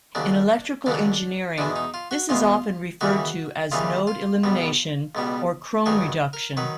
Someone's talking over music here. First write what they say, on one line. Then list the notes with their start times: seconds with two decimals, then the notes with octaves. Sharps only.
In electrical engineering this is often referred to as node elimination or Kron reduction.
0.15 D#2 C#3 F#3 D4
0.86 D#2 C#3 F#3 D4
1.58 E2 B2 G#3 D4
1.76 D#4
1.94 F4
2.11 F#4
2.29 E2 B2 G#3 F4
3.01 D#2 C#3 E3 G3 F#4
3.71 D#2 C#3 E3 G3 F4
4.07 F4
4.44 C#2 B2 G3
5.15 C#2 B2 G3
5.86 G2 D#3 F#3 G#4
6.33 A#4
6.57 D#3 F#3 B4